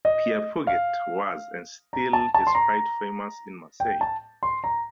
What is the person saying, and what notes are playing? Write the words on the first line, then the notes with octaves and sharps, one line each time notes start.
Pierre Puget was and still is quite famous in Marseille.
D#5
F5
A#5
A5
A5
C6
A#5
G5
A5
C6
A#5